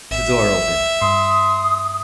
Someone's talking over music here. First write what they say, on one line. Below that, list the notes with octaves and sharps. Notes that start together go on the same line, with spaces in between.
The door opened.
G#1 E5
G2 C6 D#6